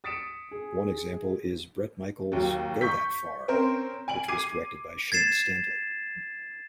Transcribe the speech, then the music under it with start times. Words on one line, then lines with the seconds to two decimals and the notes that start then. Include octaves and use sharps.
One example is Bret Michaels "Go That Far" which was directed by Shane Stanley.
0.04 D#6 A6 B6 C#7 D7 E7
0.51 G#4
2.32 D#2 F#3
2.81 C#6 G6 B6
3.48 C4 C#4 A#4 C5
4.08 G#5 D7 F#7
4.28 D6 G#6 C7 D#7
5.12 G#6 A6 C7 E7